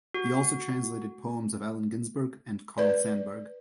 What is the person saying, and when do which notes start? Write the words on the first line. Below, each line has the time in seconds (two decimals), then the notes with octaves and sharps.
He also translated poems of Allen Ginsberg and Carl Sandburg.
0.14 F#4
2.78 B4 D5